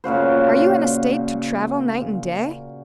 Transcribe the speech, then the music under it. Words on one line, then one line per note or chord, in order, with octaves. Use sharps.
Are you in a state to travel night and day?
A#2 C#3 F#4 C5